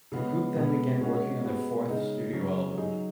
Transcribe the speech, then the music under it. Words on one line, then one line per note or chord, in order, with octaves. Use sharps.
The group then began working on their fourth studio album.
C#3 G#3 B3
B2 G#3 B3
G#3 C#4 F#4
G#3 B3 F#4
C#3 G#3 D#4
C#3 F#3 C#4
F#3 D#4 G#4